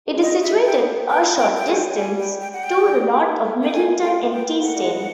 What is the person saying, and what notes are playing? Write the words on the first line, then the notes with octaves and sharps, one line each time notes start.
It is situated a short distance to the north of Middleton-in-Teesdale.
G#3
G3 D#5
E5
G#3
G5
B3
B3 G5
A#3 G5
G5
G#3 G#5
F#3
G3 G#5
G5
G5
F#5
G5
G3
A3
A#3 G5
A3 G#5
A3 G5
B3 G5
A#3
A3 F#5
G3
G#3